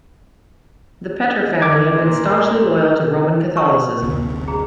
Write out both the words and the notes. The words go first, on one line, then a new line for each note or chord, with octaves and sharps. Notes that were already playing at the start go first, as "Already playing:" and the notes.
The Petre family have been staunchly loyal to Roman Catholicism.
D6 G#6
A#2
C#6
F#1 D2 C3
G#4 A#5